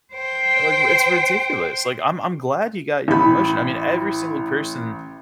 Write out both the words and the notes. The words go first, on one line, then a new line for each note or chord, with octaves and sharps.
like r It's ridiculous, like, "I'm I'm glad you got your promotion." I mean, every single person
C5 G5
A1 B5